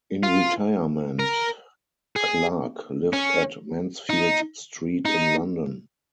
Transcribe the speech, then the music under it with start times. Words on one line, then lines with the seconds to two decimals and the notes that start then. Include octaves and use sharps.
In retirement Clarke lived at Mansfield Street in London.
0.23 F4
1.19 A#4
2.16 G#4
3.13 C#4
4.10 D#4
5.05 D#4